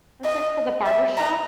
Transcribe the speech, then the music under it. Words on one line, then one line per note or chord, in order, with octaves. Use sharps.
what's it called, The Barbershop?
D#5
E5
A#5